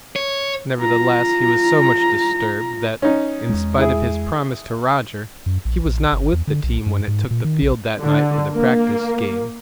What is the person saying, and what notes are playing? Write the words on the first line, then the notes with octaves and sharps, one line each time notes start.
Nevertheless, he was so much disturbed that, in spite of his promise to Roger, he was not with the team when it took the field that night for the practice game.
C#5
F4 A#5
C#4 D#4
E2 G#3
E4 G#4
F#2
A#1
A#1
G1
E2
D3
B1
G2
G#2
A#2
D#3
A#1
D3
A#3